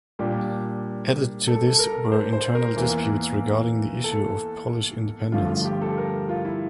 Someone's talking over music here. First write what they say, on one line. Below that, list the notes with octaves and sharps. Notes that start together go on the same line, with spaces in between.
Added to this were internal disputes regarding the issue of Polish independence.
A#2 G3 D4 G4
A4
A4
A#4
C5
C5
A#4
E2 E3 A#3
A4
G2 D3 F3 A3 F4
F4
G4
A4
A#4
F4
E4